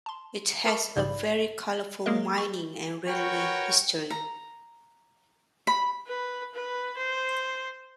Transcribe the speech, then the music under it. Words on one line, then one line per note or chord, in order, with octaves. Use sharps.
It has a very colourful mining and railway history.
A5 C6
A#4 E5 A5 B5 C#6 D6
A#1 G#2 C#3 C5 D5 B5
F#3 G#3 A#3 G#4 A#4 D#5
C#6
F#4 A#4 B4 C#5 G5
A#5
B5
B4
B4
C5